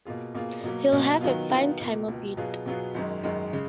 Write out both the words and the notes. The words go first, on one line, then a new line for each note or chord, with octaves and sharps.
He’ll have a fine time of it.
B2 A#3 F4 G#4
B2 A#3 F4 G#4
B2 F#3 A#3
B2 F#3 A#3
D#3 F#3 B3 F4
D#3 F#3 B3 F4
C#2 B2 A#3
C#2 B2 A#3
B2 F#3 B3 F4 G#4
B2 F#3 B3 F4 G#4
G#1 F#2 D#3 G#3
G#1 F#2 D#3 G#3
C#3 G#3